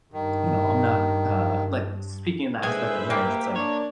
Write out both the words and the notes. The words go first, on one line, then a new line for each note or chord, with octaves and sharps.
you know, I'm not, uh, like speaking the aspect of marriage, it's like,
G2 D#3
D3 G#3 E4 G#4 B4 C5 E5 G#5
A#3 G4
D4 C#5